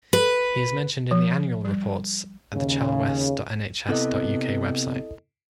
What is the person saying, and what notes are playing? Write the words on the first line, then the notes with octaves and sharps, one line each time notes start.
He is mentioned in the annual reports at the chelwest.nhs dot uk website.
B4
F3
G3
D#2 C#3
C3 B3 E4 A4 D#5